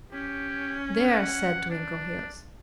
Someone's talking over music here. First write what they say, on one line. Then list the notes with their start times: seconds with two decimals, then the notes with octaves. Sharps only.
"There!" said Twinkleheels.
0.12 C#4 G4
1.03 F#5
1.70 D4